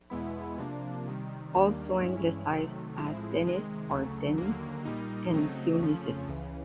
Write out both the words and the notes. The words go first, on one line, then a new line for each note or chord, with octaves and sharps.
Also anglicised as Dennis or Denis and Dionysius.
E2 B2 G#3 B3 E4
C3 F3 A#3 D4
C3 D#3 G3
D#2 D#3 G3 A#3 D4
G2 E3 G#3 C#4 E4
C3 D#3 F#3 A3
A2 F3 G#3 C4 E4
C3 D#3 G#3
D2 C#3 F#3 A3
D#2 D3 F#3 A#3
A#2 G3 A#3 D#4
C#3 F#3 A3 C4 D#4
F2 C#3 F3 A3 C#4
C#2 C#3 E3